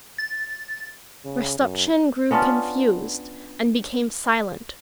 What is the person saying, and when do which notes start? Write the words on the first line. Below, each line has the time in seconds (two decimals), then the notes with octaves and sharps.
Rostopchin grew confused and became silent.
0.18 A6
1.25 C#3
1.59 F#2
2.31 B3 C#4 D4 F4